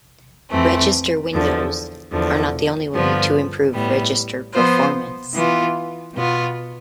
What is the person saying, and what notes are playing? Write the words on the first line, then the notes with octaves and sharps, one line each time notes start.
Register windows are not the only way to improve register performance.
F2 E3 A3 C4
E2 D3 F3
E2 D3 F3
G2 D3 F3 B3 F4
A2 G3 B3
F3 B3 F4 C5
E3 B3 F4
B2 B3 F4